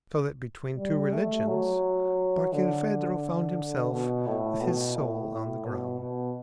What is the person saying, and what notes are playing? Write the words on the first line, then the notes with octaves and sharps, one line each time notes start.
So that between two religions, Barkilphedro found himself with his soul on the ground.
G3
A3
F#3
D3
B2
A2
B2
A2
B2
B2